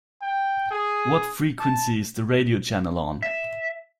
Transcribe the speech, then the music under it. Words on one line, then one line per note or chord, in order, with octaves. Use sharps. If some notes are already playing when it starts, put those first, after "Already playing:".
What frequency is the radio channel on?
G5
G#4
A5
E5